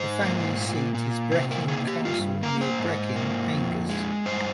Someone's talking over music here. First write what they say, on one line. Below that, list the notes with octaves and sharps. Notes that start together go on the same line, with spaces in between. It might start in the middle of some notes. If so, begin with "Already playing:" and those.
The family seat is Brechin Castle near Brechin, Angus.
Already playing: G#2 C5
A#3
A#2
A#2
C3 C5
A#4
A#3 G#4
G4
G2 F4
A#3 A#4
C5
G#2
A#3
F2
G#3
G2 C5